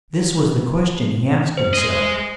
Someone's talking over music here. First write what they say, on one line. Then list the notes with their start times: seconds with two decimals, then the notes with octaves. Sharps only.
This was the question he asked himself.
1.57 C5
1.74 G#4 D#5